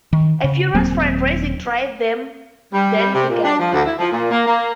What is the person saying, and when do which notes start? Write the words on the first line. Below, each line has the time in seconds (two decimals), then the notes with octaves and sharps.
A furious fundraising drive then began.
0.13 D#3
0.44 C#3
0.75 D#1 F#3 A#3 C4
2.73 G3
2.98 G3
3.13 C3
3.29 A#2
3.45 D4
3.60 F3
3.72 D2
3.85 E4
3.99 F3
4.12 A#2
4.31 A#3
4.46 A#3